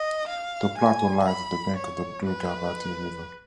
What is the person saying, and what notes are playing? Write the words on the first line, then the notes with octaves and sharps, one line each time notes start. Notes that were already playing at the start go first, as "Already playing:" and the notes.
The plateau lies at the bank of the Durgavati River.
Already playing: D#5
F5
G#5
B5
C#5
B4